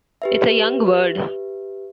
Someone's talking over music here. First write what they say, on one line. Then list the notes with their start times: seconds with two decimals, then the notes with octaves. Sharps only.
It's a young word.
0.22 G4 B4 E5